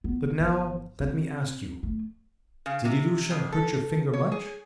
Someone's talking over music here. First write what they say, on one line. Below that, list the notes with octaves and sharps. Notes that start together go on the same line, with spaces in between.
But now let me ask you: did Ilusha hurt your finger much?
B3
G1
C4
A3
C#3
C3
F2
A4
C#5
G#4